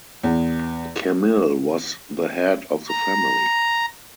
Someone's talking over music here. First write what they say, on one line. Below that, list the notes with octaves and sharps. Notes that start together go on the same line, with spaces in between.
Camille was the head of the family.
E2
A#5